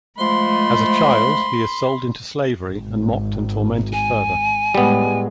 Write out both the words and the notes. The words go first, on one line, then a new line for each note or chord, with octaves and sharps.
As a child, he is sold into slavery and mocked and tormented further.
F3 G#3 A3 B5 C6
G#1
G#5
A2 G3 G#3 B3